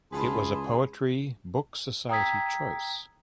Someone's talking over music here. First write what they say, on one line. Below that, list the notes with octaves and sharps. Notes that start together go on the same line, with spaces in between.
It was a Poetry Book Society Choice.
C#2 E4 F4 G#4 B4 A5 C6
G5 A#5 D#6 E6 G#6 B6